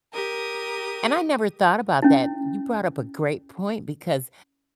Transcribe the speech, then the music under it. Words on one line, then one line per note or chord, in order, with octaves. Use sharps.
And I never thought about that. You brought up a great point because
G4 A#4 D#6
C#4 E4